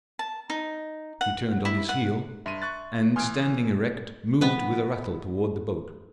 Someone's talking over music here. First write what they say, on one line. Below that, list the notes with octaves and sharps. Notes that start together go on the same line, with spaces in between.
He turned on his heel, and standing erect moved with a rattle toward the boat.
A5
D#4
F#5
E4
F#5
G2 E5 C6 D#7
C#6 F#6 A6
E3 G#5 C6 D#6 F6 G#6 D7
F3 G#3 B3 C4 B4